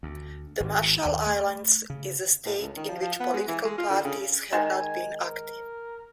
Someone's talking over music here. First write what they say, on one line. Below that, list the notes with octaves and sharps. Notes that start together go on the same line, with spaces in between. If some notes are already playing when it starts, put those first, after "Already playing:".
The Marshall Islands is a state in which political parties have not been active.
D2
G#1
D#2
A3
C#3
A2
C#2
D#3
F3
F3
B3
G#3
E3
G#3
F4
D3
C#3
D#3 G#3 G#5
A#4